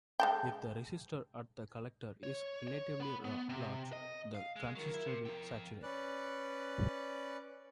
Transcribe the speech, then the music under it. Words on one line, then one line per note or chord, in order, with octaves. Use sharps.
If the resistor at the collector is relatively large, the transistor will saturate.
G#3 A4 G5
C#5
C#5
B3 B5
B3
C3
D#5
F5
G#3
D#3 F#3 A#4
E4
C3
F2 G5
C#4 B4 D5 F#6